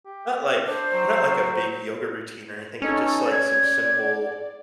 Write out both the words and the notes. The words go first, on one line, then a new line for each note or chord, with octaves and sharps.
not like not like a big yoga routine or anything, but just, like, some simple
G4
D4 C5
F#3
C#4 D#4 A4
D5 G#6